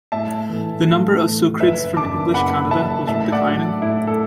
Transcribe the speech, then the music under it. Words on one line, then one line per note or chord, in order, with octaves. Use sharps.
The number of Socreds from English Canada was declining.
A2 E5 A5
E3 A3
A2
E3 A3
F#1 B4 E5
F#2 F#3 D4 A5 D6
F#1 F#5 B5
F#2 F#3 D4 E5 A5
A2 E5 A5
D5 F#5
F#3 D4 F#4
A2 E4
A4